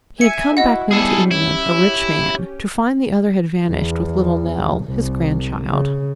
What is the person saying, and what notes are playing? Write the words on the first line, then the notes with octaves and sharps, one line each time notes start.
He had come back now to England, a rich man, to find the other had vanished with little Nell, his grandchild.
E5 G#5 C#7
E4 F#4 D#5 F#5
G3 B3 E4 G#4 A4
C#4 E4 G4
E2
C2
C#3